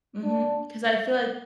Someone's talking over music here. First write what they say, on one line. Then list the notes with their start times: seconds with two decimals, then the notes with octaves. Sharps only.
Mhm, 'cause I feel, like
0.23 D4